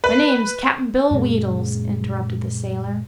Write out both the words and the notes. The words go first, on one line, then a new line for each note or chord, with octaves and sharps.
"My name's Cap'n Bill Weedles," interrupted the sailor.
B4
F#2 A#2 C#3 G#3